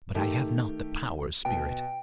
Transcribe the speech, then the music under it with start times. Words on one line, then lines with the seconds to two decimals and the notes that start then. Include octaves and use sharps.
But I have not the power, Spirit.
0.14 D#3 A3 G4
1.45 B2 G5